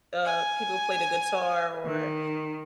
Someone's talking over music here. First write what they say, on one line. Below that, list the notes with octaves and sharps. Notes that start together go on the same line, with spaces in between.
uh, people play the guitar or
G#5
D#3